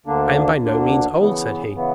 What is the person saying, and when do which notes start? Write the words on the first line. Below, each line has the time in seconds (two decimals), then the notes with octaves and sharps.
"I am by no means old," said he.
0.06 D2 D3 A#3 D4
0.62 D2 D3 A#3 D4
1.18 C#3 E3 B3
1.74 C#3 E3 B3